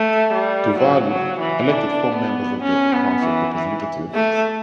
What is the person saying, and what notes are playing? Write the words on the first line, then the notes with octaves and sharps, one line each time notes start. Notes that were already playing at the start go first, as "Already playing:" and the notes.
Tuvalu elected four members of the House of Representatives.
Already playing: A3
G3
F#3
F#3
E3
D4
B3
C#4
B3
E3
E3
A3